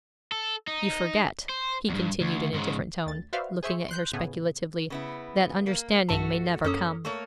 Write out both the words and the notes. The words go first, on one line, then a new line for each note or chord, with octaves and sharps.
You forget,' he continued in a different tone, looking at her speculatively, 'that understanding may never come.'
A4
D#4
C5
E2 G2
D2
G#2 C#3
D2 A6
F#4 B4 C5 D5 E5 F5
G#4 C5 E5 C#6
C6 F#6 G6
A2 C#3 B3 G#4
C#3 B3 E4
A#3
B1 G2 A3 F#4 A5
F#2 A#3 C#4 A4 D#6
A3 A#3 C#5